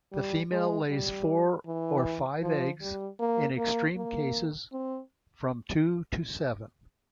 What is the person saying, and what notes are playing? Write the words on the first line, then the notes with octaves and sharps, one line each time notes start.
The female lays four or five eggs, in extreme cases from two to seven.
G3
G#3
G3
E3
F3
G3
A#3
A#3
A#3
C4